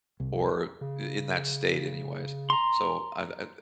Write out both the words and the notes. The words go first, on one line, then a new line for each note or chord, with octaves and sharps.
or i in that state anyways. So I I
C2
C#3
A#5 C6